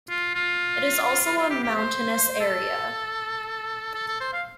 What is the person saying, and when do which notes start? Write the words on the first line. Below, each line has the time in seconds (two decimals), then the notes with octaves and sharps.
It is also a mountainous area.
0.09 F4
0.34 F4
1.38 F4
1.50 G4
1.63 G4
1.76 C5
2.40 A4
3.95 A4
4.08 A4
4.21 C5
4.33 F5